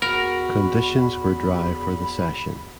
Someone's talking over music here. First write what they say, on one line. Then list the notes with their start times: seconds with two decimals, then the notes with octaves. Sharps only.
Conditions were dry for the session.
0.02 E2 F#4 A#4 B5